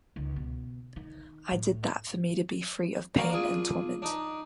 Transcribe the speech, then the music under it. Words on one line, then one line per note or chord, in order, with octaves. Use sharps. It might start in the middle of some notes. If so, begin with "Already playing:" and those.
I did that for me to be free of pain and torment.
C#2 D#3
B2
D#3
A2
A#3 F#4 D5 F5
D4 F4 G#4
D4 D#4